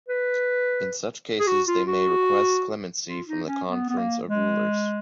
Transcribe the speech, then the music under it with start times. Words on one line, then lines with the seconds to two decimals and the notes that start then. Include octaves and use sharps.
In such case, they may request clemency from the Conference of Rulers.
0.08 B4
1.40 G#4
1.47 F#4
1.68 F4
1.88 F#4
3.07 F4
3.27 D#4
3.47 C#4
3.68 B3
3.89 B3
3.98 A#3
4.28 G#3